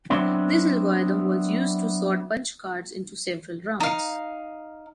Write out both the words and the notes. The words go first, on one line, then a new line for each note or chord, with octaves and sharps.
This algorithm was used to sort punch cards into several rounds.
F#3 B3 C4 D4 E4
D#4 F5